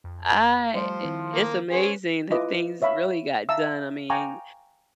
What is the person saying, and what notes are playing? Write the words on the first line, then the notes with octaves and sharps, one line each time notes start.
I i it's amazing that things really got done, I mean
F2
F3 G3 A3 G4 C5
D#3 C4 E4
A#3
C#4 G#4 B4 C5
E4 F4 B4 D#5 D6
C#5 E5 F5 B5
E5 F5 A5 A#5 E6
F5 G5 G#5 A#5 C#6 D6